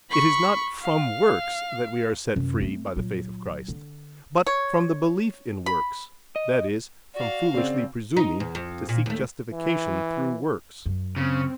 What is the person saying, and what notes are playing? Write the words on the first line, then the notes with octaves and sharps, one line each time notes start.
It is not from works that we are set free by the faith of Christ, but from the belief in works, that is from foolishly presuming to seek justification through works.
B5 C#6
F5
F#2 C3
A3 C4
A#2 F#3
D3
C#5
B5
D#5
F#4 D5 F5
C#3 C4 D5
D#4
E2
F2
A#2
D#2 A3
E3
F#2
C#3 C4